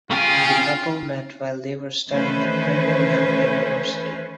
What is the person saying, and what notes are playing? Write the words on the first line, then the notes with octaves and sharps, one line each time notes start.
The couple met while they were studying at Brigham Young University.
C#3 F4 G5 G#5
D#3 E3 A3 C#4 B4 C5